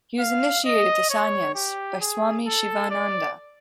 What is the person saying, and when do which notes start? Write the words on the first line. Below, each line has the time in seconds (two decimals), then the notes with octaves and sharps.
He was initiated to sanyas by Swami Shivananda.
0.19 F5
0.65 D#5
1.10 C#5
1.55 G4
2.00 G#4
2.46 A4
2.90 D5